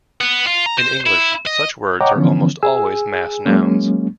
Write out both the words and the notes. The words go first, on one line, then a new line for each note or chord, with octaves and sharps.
In English, such words are almost always mass nouns.
B3
F4
A#5
C5
E4
D#5
C#5 D#5 F#5 G5 A#5 D6
D3 E3 F3 B3 C#4
G#4 G#5 E6
F#3 G#3 A#3 C#4